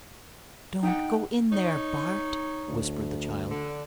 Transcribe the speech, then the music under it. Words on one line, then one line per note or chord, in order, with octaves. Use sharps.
"Don't go in there, Bart!" whispered the child.
D#4 F#5 G5
D#4 C#5
D2
D3